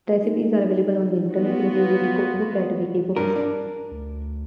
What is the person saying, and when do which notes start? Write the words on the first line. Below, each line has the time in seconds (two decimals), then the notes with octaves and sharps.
Recipes are available on the Internet, including the cookbook at Wikibooks.
0.23 D#4
1.30 B3 F4 F#4
3.16 G2 A#4
3.36 D4
3.91 D2